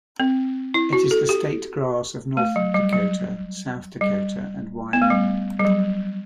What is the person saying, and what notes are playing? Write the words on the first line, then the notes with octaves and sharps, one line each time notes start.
It is the state grass of North Dakota, South Dakota, and Wyoming.
C4
E4
F#4
A4
G4
A3
F#3
G3
F#3
G3
B3
A3
G3
G3
F#3